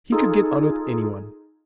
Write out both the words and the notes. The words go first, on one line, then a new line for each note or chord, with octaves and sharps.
He could get on with anyone.
D#4 F4 G#4 A4